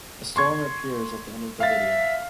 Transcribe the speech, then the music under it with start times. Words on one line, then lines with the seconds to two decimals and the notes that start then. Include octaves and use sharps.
A storm appears at the end of the video.
0.36 C6 C#6 G#6
1.60 E5 F5 A6